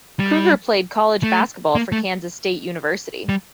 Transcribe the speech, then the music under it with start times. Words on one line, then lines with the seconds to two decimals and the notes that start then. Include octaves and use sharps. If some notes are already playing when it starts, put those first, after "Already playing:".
Kruger played college basketball for Kansas State University.
0.19 G3
1.23 A3
1.75 A#3
1.92 A3
3.29 G3